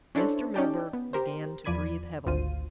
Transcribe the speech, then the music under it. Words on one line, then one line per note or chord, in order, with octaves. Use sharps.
Mr. Milburgh began to breathe heavily.
C#4 D4 E4 A4 C5 C#5
C#4 D#4 G4 D5 G5 A5
B3
G4 A#4 C5
E2 F3 D5 B5 G#6 D#7
G#1 D2 F4 C5 D#7